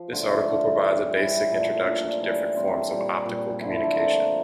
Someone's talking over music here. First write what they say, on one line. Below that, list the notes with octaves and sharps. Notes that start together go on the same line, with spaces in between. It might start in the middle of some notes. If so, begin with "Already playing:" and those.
This article provides a basic introduction to different forms of optical communication.
Already playing: F3
D3 A3 F4
D3 A3
A2 E3 G3
A2 E3 G3 E4
A#2 F3 A3
A#2 F3 A3 D4
A2 E3 G3
A2 E3 G3 C4
A#3
A4
A#2 G3 G4
A#2 G3
D3 F3 A3 E4
E4
D4
D3 F3 A3 A#3